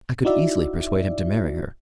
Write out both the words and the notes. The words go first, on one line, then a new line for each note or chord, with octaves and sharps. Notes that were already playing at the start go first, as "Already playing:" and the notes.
I could easily persuade him to marry her.
D#4 E4 F#4 D5 E5